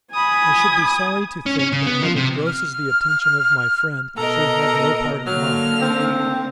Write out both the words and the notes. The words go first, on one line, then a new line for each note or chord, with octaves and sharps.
'I should be sorry to think that what engrosses the attention of my friend, should have no part of mine.
G#5 B5 D#6
C#4
C#4
C#3
B3
F3
C3
F6
B2 A4 A#4 D#5 A#5
D3 F#3 A#3 F6
C4